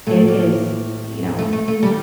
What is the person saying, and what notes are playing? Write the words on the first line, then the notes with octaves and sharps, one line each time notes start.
it is, you know
A2 A3
A#3
A3
A3
A3
G3
D#3